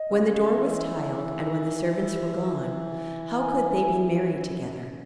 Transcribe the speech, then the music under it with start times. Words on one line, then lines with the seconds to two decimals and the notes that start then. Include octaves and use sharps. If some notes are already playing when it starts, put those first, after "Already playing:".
When the door was tiled, and when the servants were gone, how could they be merry together?
Already playing: D#5
0.10 C#3
0.57 E3
3.40 G#5
4.35 F#2